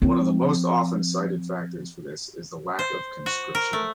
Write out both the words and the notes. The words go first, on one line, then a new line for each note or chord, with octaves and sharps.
One of the most often cited factors for this is the lack of conscription.
F3 C4
C5
F#4
A#4
A3